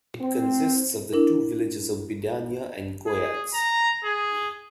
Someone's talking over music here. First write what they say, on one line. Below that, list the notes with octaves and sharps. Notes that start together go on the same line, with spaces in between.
It consists of the two villages of Bidania and Goiatz.
C4
D4 E4 A#4
G#4
A#5
G#4